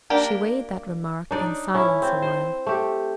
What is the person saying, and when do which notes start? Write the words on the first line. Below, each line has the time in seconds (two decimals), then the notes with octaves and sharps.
She weighed that remark in silence a while.
0.10 A#3 D4 G4 A#4
1.31 D4 D#4 D5
1.74 C#4 E4
2.02 C4
2.22 C5
2.67 A3 G4